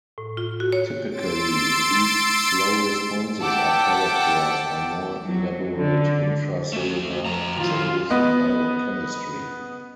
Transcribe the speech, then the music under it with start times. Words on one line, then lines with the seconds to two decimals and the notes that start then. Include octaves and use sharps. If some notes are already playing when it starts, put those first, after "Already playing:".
Typically these slow responses are characterized by more elaborate intracellular changes in biochemistry.
0.18 A2
0.37 F4
0.60 F#4
0.72 C#5
1.10 C6 E6 A6 D7
3.41 E5 F#5 G5 A5 D6 E6
5.26 F#3
5.78 D3
6.73 A3 F#4
7.25 F2 A#5
7.58 D#3 F#3 E4 F4
8.10 B3 B4 D#5